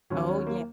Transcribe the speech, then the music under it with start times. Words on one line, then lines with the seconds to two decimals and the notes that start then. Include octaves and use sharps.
Oh, ye
0.10 D#2 D#3 F#3 C#4
0.28 C#4
0.47 A#3